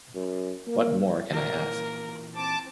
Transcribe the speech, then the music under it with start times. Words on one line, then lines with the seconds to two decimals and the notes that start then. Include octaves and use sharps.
What More Can I Ask?
0.15 F#2
0.67 A#3
1.33 A#2 E3 A#3 A#4
2.35 C4 A5 D6